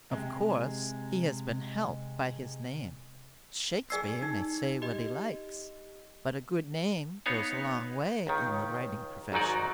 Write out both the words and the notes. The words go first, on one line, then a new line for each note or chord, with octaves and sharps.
Of course, he has been helped by his name. Shakespeare may say what he likes, but a good name goes a long way in the writing profession.
C3 G#3
G#4 D5 G#5 E6 C7
D#4
G4 D#5
B3 D#4 C#5 F5
C#2 D#3
G#1 G#2 F#3 D#4 D5